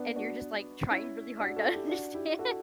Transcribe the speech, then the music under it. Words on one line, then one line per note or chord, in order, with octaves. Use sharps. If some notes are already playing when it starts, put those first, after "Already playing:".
and you're just, like, trying really hard to understand.
Already playing: B3 D4
D4 F#4
C#4 E4
D4 F#4
F#4 A4
E4 G4
D4 F#4
E4 G4
F#4 A4